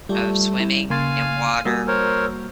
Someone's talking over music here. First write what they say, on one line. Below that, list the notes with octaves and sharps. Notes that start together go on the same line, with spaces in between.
of swimming in water
G3 A3 F4 G4 D5
E4
C#3 A#3 F5 G#5 C6 G#6 A6
G3 A#3 F#4 G#5 D#6 E6
A#4 C5 C#5